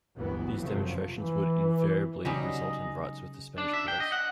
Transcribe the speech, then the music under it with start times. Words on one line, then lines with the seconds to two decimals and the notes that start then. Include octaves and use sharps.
These demonstrations would invariably result in riots with the Spanish police.
0.16 G1 D2 E3 F#3 B3
0.60 G1 F#2 C3 F3 F#3 A3
1.15 E3
2.25 C#3 F#3 G3 D#4 G4 G#4 D#5
3.58 D4
3.73 E5
3.88 G5
4.00 D#5
4.12 F#5